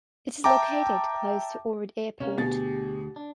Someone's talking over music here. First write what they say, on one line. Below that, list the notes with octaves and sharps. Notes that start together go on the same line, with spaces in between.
It is located close to Ohrid Airport.
E5 G5 A5 A#5 D6
C3 A#3 C#4
D2 B2 G4 G#4 A6
D4